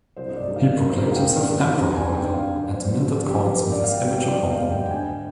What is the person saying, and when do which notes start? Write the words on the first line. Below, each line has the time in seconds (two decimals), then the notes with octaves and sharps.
He proclaimed himself emperor, however, and minted coins with his image upon them.
0.16 C2 C5
0.29 D#5
0.36 D5
0.46 A#2 G#3 D#4
0.56 F5
0.76 C2 A#4
0.88 C5
0.96 A#4
1.06 A#2 G#3 D#4
1.12 F5
1.16 G5
1.35 G2
1.64 D3 G3 C4 D#4
1.94 G2 G#5
2.14 G5
2.24 D3 G3 C4 D#4
2.34 F5
2.54 A#1 D5
2.74 C5
2.84 A#2 F3
2.93 F4
3.13 A#1 G4
3.28 G4
3.43 A#2 F3
3.58 A#4
3.72 G#1 D5
3.84 F5
3.92 G5
4.02 G#2 G3
4.12 G5
4.25 D5
4.31 G#1 D#5
4.51 F5
4.61 G#2 G3
4.71 G5
4.86 G5
4.91 D2 G#5